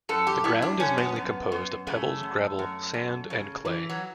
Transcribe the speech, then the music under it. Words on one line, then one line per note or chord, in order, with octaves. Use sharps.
The ground is mainly composed of pebbles, gravel, sand and clay.
F#2 A4
G4
F#2 E4
D4
F#2 C#4
B3
F#2
F#2
C#3 A3
F#2
F#2
F#2
C#3
E3
F#3